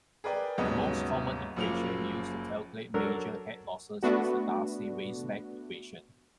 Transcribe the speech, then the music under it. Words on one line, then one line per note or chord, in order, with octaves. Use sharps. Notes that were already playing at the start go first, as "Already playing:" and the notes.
The most common equation used to calculate major head losses is the Darcy-Weisbach equation.
G#4 A#4 B4 D5 G5
D#1 G#2 C#3 F#3 B3 D#5
F#1 F#2 F3 A#3 F7
F#3 D4 A4 A#4
A3 B3 D4 F#4